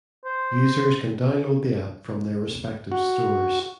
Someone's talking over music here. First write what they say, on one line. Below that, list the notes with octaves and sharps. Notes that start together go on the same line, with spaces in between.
Users can download the App from their respective stores.
C5
F#4